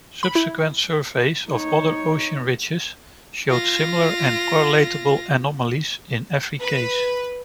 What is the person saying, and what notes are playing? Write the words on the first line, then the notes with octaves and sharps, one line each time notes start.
Subsequent surveys of other ocean ridges showed similar and correlatable anomalies in every case.
B5
E4
D#4 C#5
F4 A#6
B4